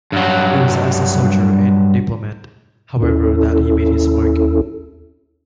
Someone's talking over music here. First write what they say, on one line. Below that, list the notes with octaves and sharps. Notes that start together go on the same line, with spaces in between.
It was as a soldier and diplomat, however, that he made his mark.
G2 F#3
D#2 C#4 E4 A4